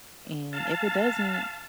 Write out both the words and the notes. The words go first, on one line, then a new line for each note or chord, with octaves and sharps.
And if it doesn't,
F5 A5